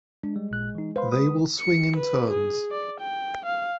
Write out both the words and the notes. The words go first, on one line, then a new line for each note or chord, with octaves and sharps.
They will swing in turns.
G#3 D4
G3
A1 A#2 F#6
E3 D#4
B4 C5 F5 C6
D#6
C#7
B4
G#4
D5
G5
F5